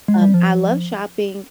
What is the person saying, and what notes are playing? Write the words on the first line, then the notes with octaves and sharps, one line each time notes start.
Um, I love shopping
G#3
G3
F3